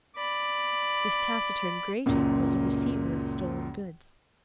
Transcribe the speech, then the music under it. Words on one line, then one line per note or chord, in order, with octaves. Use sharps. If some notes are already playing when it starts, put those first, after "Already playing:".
This taciturn grating was a receiver of stolen goods.
D5 B5
C#2 F#2 A#2